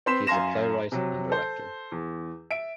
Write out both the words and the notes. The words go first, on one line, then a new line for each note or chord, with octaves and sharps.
He is a playwright and director.
C4 B4 C6 B6 E7
F#2 F5 G#5 C6 A#6 E7
C3 F#3
A4 C5
E2
E5 D7